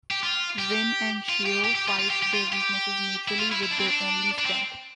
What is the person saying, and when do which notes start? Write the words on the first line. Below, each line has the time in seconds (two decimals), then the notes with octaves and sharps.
Rin and Shirō fight their weaknesses mutually, with their only strength.
0.11 G4
0.23 F4
0.59 G4
1.29 F4
1.46 G4
1.64 G4
1.75 G4
1.88 F4
1.99 F4
2.10 G4
2.22 G4
2.34 F4
2.52 G4
3.28 E4
3.39 F4
3.51 E4
3.63 E4
3.71 D4
3.79 C4
3.87 D4
4.38 D4
4.45 C4